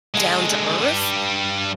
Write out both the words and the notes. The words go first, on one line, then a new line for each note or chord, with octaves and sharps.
down to earth.
D3 G#3
G2 G3